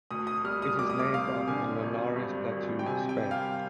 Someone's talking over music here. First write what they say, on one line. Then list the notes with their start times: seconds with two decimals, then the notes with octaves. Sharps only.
It is named after the Linares Plateau, Spain.
0.11 D2 D#6
0.27 D#6
0.44 G3 F6
0.62 D#6
0.79 D2 D6
0.90 D#6
1.00 D6
1.13 C3 F5
1.48 D3 G#5
1.83 G#1
2.16 G2
2.52 G#1
2.79 G5
2.86 C3 G#5
3.09 G5
3.19 G3
3.31 F5